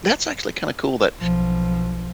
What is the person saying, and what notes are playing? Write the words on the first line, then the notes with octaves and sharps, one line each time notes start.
That's actually kinda cool that
B1 F3